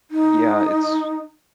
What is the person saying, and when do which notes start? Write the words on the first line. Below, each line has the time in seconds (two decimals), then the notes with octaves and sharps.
Yeah, its
0.11 D#4